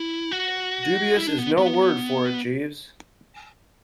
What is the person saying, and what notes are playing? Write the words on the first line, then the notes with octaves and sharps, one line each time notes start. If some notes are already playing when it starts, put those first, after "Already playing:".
Dubious is no word for it, Jeeves.
Already playing: E4
F#4
E4
D4
B3
B3